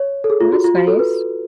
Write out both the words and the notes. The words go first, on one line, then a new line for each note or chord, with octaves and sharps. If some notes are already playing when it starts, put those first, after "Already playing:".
Well, that's nice.
Already playing: C#5
A4
G#4
F4
F#4
F4
F#4
A4
B4